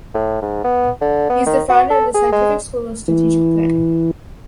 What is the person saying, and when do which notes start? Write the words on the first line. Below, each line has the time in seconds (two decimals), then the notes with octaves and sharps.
He is the founder of the Scientific School of Strategic Planning.
0.14 A2
0.42 G#2
0.64 B3
1.01 D3
1.30 B3
1.46 D#3
1.69 F#4
1.90 A4
2.15 G#4
2.32 G#3
3.08 E3